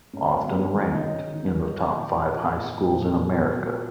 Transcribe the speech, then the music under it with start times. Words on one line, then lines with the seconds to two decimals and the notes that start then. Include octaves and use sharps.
Often ranked in the top five high schools in America.
0.13 G#2 C#4
0.33 F#3
0.44 B3
0.54 F#3 C#4
0.74 D#3
0.94 D#3 D#4
1.14 D#3
1.34 D#3
1.55 D#3
1.75 F3
1.95 A#2
2.16 F3
2.36 F3
2.56 A#2
2.77 A#2
2.96 A#2
3.17 A#2
3.37 F#3 B3
3.58 F#3